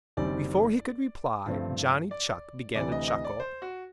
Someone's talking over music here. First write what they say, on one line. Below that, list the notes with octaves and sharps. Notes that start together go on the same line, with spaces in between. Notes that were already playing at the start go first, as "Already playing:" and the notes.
Before he could reply Johnny Chuck began to chuckle.
F#1 F#2 D#3 G3 C4 D5
G2 D3 F3 A3 C4
D5
D2 C3 E3 D5
D#5
D#5
D5
C5
F#4